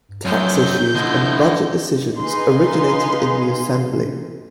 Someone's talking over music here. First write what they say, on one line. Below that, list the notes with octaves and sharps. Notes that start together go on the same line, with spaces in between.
Tax issues and budget decisions originated in the assembly.
F#2 F3 F#3 G6
D3 F3 E4 D#5
D#4 G#4 B4 F5 C6